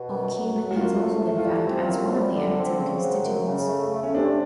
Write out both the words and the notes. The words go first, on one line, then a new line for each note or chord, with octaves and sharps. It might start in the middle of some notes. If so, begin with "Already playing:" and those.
Aucubin has also been found as one the active constituents.
Already playing: B2
F#2
F#3
F#3
F#4
F#2 F4
A3
A3
F4
G3 E4
C4
F4
F#2
G3
D3
C4
C#3
F#3
F#2
C#3
A3
A3
C#4
C3 D4